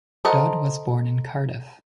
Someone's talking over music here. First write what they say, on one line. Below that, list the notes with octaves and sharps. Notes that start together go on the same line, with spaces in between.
Dodd was born in Cardiff.
A4 A#4 C5 D#5 F#5